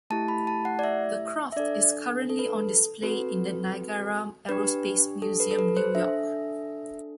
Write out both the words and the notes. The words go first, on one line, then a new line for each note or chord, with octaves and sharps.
The craft is currently on display in the Niagara Aerospace Museum, New York.
A3 E4 G4 A5
B5
A5
F#5
D5
E5
E5
D4 A4 D5
A4
B4
A4
C4 F#4 A4 B4
D4 G4 B4
A4
B4
A4
B4
C5
D4 A4 E5